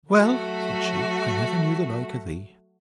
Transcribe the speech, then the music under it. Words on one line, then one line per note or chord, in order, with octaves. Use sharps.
Well, said she, I never knew the like of thee.
F#3 A3 F#4